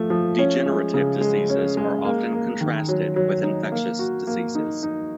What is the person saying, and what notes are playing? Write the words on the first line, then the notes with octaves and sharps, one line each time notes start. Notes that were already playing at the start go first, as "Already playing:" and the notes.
Degenerative diseases are often contrasted with infectious diseases.
Already playing: F3 A3
F3
C#4
G#3
C#3
G#3
C#4
G#3
A#3
A#3
D#3
F#3
F#3
D#4
A#3
F#4
A#3
D#4
D#4